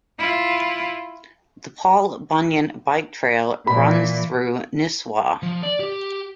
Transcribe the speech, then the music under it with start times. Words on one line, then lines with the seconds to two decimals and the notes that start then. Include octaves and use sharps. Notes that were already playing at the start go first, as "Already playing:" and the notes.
The Paul Bunyan Bike trail runs through Nisswa.
0.19 E4 F4
3.67 A#2 E3 B5
5.43 F3
5.63 D5
5.80 G4